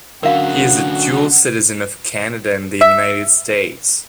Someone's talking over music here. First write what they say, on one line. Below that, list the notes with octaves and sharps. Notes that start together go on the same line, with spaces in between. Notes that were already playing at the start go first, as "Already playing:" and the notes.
He is a dual citizen of Canada and the United States.
D3 F#3 C#4 A#4 F5 F#5
E5